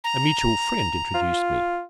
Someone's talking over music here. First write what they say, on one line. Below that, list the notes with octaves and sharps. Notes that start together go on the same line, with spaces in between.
A mutual friend introduced me.
A#5
F4